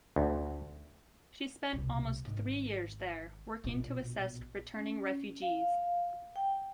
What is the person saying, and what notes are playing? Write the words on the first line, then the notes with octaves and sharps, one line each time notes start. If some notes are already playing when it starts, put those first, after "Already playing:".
She spent almost three years there, working to assist returning refugees.
D2
C2 B2
G#1 D#3
A#1 B2
C#4
F5
G5